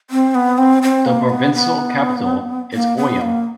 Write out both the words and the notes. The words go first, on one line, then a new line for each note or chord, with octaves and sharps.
The provincial capital is Oyem.
C4
B3
C4
C4
A#3
B3
B3
A#3
B3
A#3